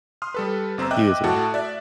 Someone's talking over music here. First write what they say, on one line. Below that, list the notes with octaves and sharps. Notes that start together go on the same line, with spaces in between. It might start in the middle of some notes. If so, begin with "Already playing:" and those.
You as well.
C6 D#6 F6
G3 A4 B4
G1 C4 C5 A#5 E6
D#5 E5 G5 D6 F#6
A2 F#4 A4 A5
D5 E5 F#6